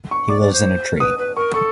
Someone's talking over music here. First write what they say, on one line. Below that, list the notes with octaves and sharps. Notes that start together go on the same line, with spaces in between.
He lives in a tree.
C#6
D5 D6
D5
C5
A#4
B4 D#6
B4
A#4 C#6
A4 C#6